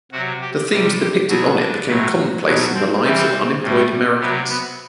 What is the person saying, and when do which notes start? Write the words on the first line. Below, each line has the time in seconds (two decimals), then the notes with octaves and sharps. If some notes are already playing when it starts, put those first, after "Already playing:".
The themes depicted on it became commonplace in the lives of unemployed Americans.
0.12 C3 F#3 F#4
0.41 G4
0.70 C3 G3
0.99 G4
1.28 B2 F#3 F#4
1.57 D4
1.87 A2 F#3
2.45 B2 F#3
2.74 C4
3.03 C3 E3 G3 C4
3.62 A2 G3
4.20 C3 F#3 B3
4.49 B3